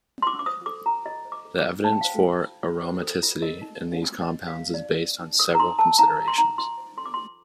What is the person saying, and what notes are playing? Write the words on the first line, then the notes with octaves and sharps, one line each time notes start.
The evidence for aromaticity in these compounds is based on several considerations.
C6
F4 D6
D6
C5 D#6
A4 D6
F4 A#5
F4 D#5
C5
D6
A4
D6
F4
F4 A5
G5
F5
C5
G5
A4
F4
F4
C5
A4
F4
A#4 D#5
D#4
A#4
D#4
A#4 D#5
D#4
F5
A#4
D5
D#4
A#4
D#4
A#4 D#6
A#5
D#4 C6
A#4 A5
D#4 A#5
A#4
C6
D#4 A#5
F4 C6
C5
A4 C6
D6
F4 C6